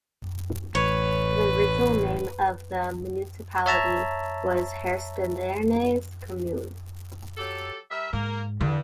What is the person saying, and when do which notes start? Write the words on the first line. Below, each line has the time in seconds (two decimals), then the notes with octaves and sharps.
The original name of the municipality was Herstedernes Kommune.
0.75 A1 B4 C#5
3.66 C#5 E5 A5 A#5
7.37 F#3 G4 A4
7.91 G3 A#4 E5
8.13 G#2 A#3 A#4
8.61 E2 G2 D3